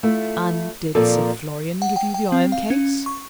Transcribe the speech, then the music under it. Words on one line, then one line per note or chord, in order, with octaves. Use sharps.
"And did Sir Florian give you the iron case?"
A3 E4 F4 A4
A#2 F3 A#3 C4 A4 D5
F#5
G5
G5
C4
F5
C#4
C#6